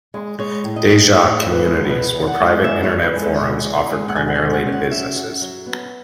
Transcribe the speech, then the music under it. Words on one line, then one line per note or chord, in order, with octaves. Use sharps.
Deja Communities were private Internet forums offered primarily to businesses.
G#3
G#3 C#5
A2
D#5
A2
A2 C#5
A2
B4
G#3
B2 B4
E2
F#5
G#3
E2 E5
C#5
E2
B4
G#3
A4
B2
E2
G#3
F#5
B2 G#5
F#5
G#5
G#3
F#5
C#4
F#5
F#3 E5
F#2
F#3
B3